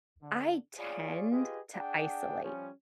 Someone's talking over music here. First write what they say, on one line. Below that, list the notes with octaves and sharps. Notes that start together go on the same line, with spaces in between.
I tend to isolate
D3
F4 G#4 C#5 D5
F4 G4 G#4 B4 D#5
D4 G#4 F#5 G5
F3 G3 C#4